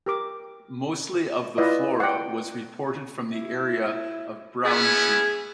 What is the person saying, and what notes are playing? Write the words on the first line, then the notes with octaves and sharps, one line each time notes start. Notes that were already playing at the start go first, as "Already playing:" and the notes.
Mostly of the flora was reported from the area of Braunschweig.
G4 A#4 D6
E4 F4 B4 D5 D#5
F#5 G5
E4
B3 C#4 E4 G#4